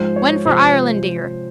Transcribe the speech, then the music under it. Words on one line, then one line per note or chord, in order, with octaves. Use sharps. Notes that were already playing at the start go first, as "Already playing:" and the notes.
When for Irelandear.
Already playing: G#2 F3 G#3 C5
C#5
C3 F3 G#3 C5